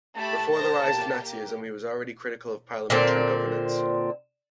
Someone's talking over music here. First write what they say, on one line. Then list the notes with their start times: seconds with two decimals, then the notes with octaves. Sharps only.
Before the rise of Nazism, he was already critical of parliamentary governance.
0.16 A3 G4 A5 B5
0.53 A#4 C5 A#6
0.86 A#3 G4
2.90 A#2 D3 C4